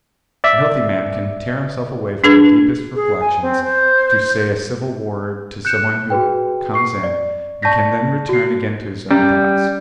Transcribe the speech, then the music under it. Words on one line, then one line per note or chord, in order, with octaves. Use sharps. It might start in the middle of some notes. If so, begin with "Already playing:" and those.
A healthy man can tear himself away from the deepest reflections to say a civil word to someone who comes in and can then return again to his own thoughts.
D5 E5
D4 G#4 B4
G#4
G#5
C4
C5
F#6 G6 C#7 E7
F#4 G#4 B4 G5
C#6 C7
D5
D5 A5 C#6 G6 A#6 B6
F#4 C7
G3 C#4